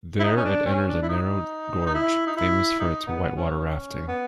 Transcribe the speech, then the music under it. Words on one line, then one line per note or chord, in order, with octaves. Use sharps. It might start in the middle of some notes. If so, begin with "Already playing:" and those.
There it enters a narrow gorge, famous for its white water rafting.
E4
D#4
C#4
D4
C#4
D4
E4
D#4
D#4
E4
D#4
E4
D#4
B3
C#4
C#4
B3